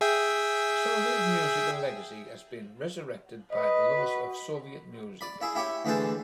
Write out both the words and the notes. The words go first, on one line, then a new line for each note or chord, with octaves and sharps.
Some of his musical legacy has been resurrected by the lovers of Soviet music.
G#4 E5 G5
B4 D#5
F#4
D5 B5
E4 G#4
E4 G4 C#5
D2 E3 G#4 C5 A5